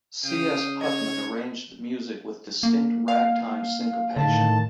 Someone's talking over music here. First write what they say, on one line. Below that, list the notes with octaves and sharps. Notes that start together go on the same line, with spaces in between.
C. S. Putman arranged the music with distinct ragtime syncopation.
C#3 F5 G5 D#6
C#5 D#5 G#6
A#3
F5
A2 D3 D#3 A5